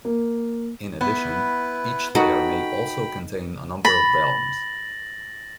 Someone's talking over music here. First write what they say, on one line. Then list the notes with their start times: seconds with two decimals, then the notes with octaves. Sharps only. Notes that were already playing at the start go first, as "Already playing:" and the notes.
In addition, each layer may also contain a number of "realms".
0.05 A#3
1.01 B3 E4 B4
2.15 D#4 F#4 A4 G5 B5
3.85 B5 A6 A#6 F#7